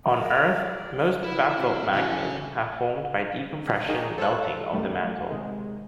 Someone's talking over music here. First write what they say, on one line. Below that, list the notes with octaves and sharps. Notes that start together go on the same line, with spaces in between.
On Earth, most basalt magmas have formed by decompression melting of the mantle.
A#4 D5
G#4 D5
E4 B4
C3 G#3 E5 F5
C#3 E3 D4 F#4 G#4
D4 D#4 G#4 A#4 G5 C#6
A4 C5 C#5 A5 E6 F#6
B1 F#2 D#3 G3 A3
C3 D#3 G#3